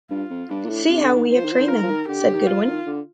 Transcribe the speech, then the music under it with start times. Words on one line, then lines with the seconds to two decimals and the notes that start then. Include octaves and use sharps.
"See how we have trained them," said Goodwin.
0.10 G2 F4
0.30 F2
0.49 G2 D4
0.64 A#2
0.69 A2
0.89 C3
1.02 D3
1.16 D#3
1.29 D#3 C5
1.36 F3
1.44 D#3
1.52 F3
1.59 D#3
1.68 F3 A#4
1.75 D#3
1.82 F3
1.90 D#3
2.08 D3 G4
2.21 D3
2.34 D#3
2.47 F3 F4
2.67 D#3
2.86 D3